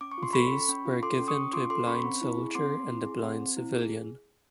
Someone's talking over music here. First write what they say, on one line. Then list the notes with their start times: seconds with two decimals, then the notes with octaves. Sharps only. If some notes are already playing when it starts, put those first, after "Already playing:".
These were given to a blind soldier and a blind civilian.
0.01 C#4 D6
0.12 C#6
0.18 F4 C6
0.33 A4 B5 C#6
0.51 C#4
0.69 C#4
0.85 F4
1.03 A4 C6 D6
1.20 C#4
1.28 C#6 D#6
1.37 C#4
1.53 F4 C6 D6
1.70 A4 C6 D6
1.87 C#4 B5 C#6
2.04 C4
2.22 E4
2.38 G#4
2.55 C4 C6 D6
2.72 C4
2.89 E4
3.06 G#4
3.23 C4
3.40 C4
3.57 E4
3.74 G#4